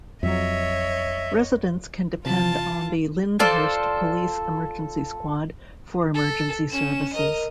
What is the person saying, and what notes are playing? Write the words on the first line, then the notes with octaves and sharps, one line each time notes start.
Residents can depend on the Lyndhurst Police Emergency Squad for emergency services.
F2 F#3 C#5 D#5 E5
C3 E3 F4 A5
F4 A4 C5 D5
A4
C#4 E7
A#4 D#5